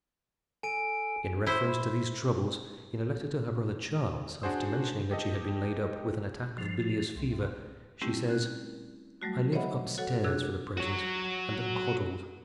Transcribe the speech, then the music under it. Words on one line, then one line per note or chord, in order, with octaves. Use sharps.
In reference to these troubles in a letter to her brother Charles, after mentioning that she had been laid up with an attack of bilious fever, she says: 'I live up stairs for the present and am coddled.
A4 G#5 D7
E4 C5
D4 F#4 G#4 C5
G4 A4 D#5
F3
C2
G3 A3 C4 C#4 E4 G4
F#6
F#3 G3 A3 F#4
C5 C#5 D#5 E5 F#5 B5
F#4 A4 C#5 F#5
C3 D4 G#4 D6 F#6 G#6
F#4 C#5